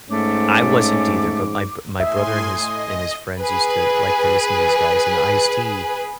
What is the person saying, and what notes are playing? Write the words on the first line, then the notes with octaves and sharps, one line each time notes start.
I wasn't either, but my b my brother and his and his friends used to like to listen to these guys, and Ice-T
G#2 A3 C#4 D6
A2 E5 G#5 C6 D#6
D#5
G#4 B4